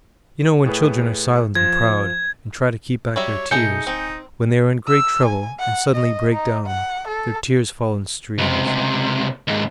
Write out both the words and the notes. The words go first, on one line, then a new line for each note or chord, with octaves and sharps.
You know, when children are silent and proud, and try to keep back their tears when they are in great trouble and suddenly break down, their tears fall in streams.
A2 G#4 B4
F3 C5 G#6 A#6
F#3 G3 C#5 E5
B2 G#3 A3 D#4 G#4 G#5 G6 C#7
D1 C4 D#4
E6
G#5
F#5
D#5
D#4
F#5
A4
C#2 C3
D#2 G#2